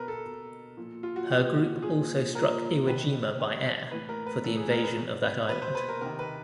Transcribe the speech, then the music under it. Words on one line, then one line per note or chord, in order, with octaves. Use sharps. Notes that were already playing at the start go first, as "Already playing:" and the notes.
Her group also struck Iwo Jima by air for the invasion of that island.
Already playing: B2 A#4 B4
A4
B2
A#2 F3
F4
F#4
A#2 F3 G4
F#4
A#2 F3 G#4
A#2 F3 A#4
C3 D#3 B4
C3 D#3
A2 E3 B4
A#4
B4
A2 E3 A4
G#4
A#4
B4
B2
B4
B2 B4
C5
B4
A#4
C3 D#3 A#4
B4